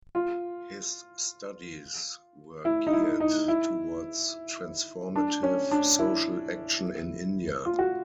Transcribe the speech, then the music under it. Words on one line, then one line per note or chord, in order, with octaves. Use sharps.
His studies were geared towards transformative social action in India.
F4
E4
D#4
E4
D#4
E4
D4
C#4
D4
E4
F4
F#4